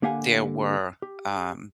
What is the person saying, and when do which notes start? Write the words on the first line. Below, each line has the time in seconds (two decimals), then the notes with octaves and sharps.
there were, um,
0.02 D3 A#3 G4 F5 F#5 G#5
1.02 G4